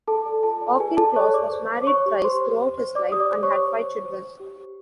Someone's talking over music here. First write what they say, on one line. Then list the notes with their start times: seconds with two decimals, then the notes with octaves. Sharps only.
Auchincloss was married thrice throughout his life and had five children.
0.07 G#4 A4 A5
0.26 D5
0.43 F4 A4 A5
0.61 D5
0.79 G#4 B4 G#5
0.97 A4 D5 A5
1.15 C#5 D5 C#6
1.34 G#4 D5 D6
1.51 C5
1.70 C5
1.82 D6
1.87 C5 C#5 C#6
2.06 G4
2.24 C5 C6
2.41 C5
2.60 C5
2.78 C5
2.95 C5 D5 D6
3.12 G4 D#6
3.20 D5 D6
3.31 C5
3.43 C#5 C#6
3.50 C5
3.67 C5
3.85 C5
4.04 C5
4.21 C5
4.40 G4
4.58 G4